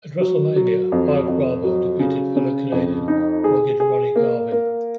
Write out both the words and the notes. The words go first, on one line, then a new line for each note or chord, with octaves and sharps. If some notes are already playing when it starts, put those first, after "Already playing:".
At WrestleMania Five Bravo defeated fellow Canadian Rugged Ronnie Garvin.
F#3
F#3
F2
F2
F#3
C#3
C#3
F2
D#4
G#4
G#4
A#3
A#3